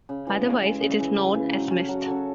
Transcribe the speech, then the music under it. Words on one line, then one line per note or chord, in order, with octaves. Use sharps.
Otherwise it is known as mist.
C#3
E3 G#3
C#3
E3 G#3
C#3
E3 G#3
C#3
E3 G#3
F#3
C#4 F#4 A4
F#3
C#4 F#4 A4